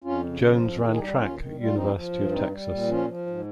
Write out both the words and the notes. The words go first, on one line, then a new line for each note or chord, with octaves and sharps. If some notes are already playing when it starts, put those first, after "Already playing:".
Jones ran track at University of Texas.
F2 C#4 F4
C#3
F3
F2
D#3 F4 G#4
G#4
G3 D#4 G4
D#2 C#4 F4
D#3
G3
F4
F3 C4 D#4
F3
G2
G3 C4 D#4
G3
A#2
F3 C#4 F4
F3
G#2